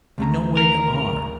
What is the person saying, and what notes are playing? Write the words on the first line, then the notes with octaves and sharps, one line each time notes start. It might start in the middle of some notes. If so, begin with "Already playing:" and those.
You know where you are.
D2 A3 A#5
A#4